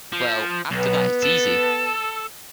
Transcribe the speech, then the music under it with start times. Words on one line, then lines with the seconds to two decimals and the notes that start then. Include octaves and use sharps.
Well, after that it's easy.
0.13 F3
0.71 B1 B3
1.23 A4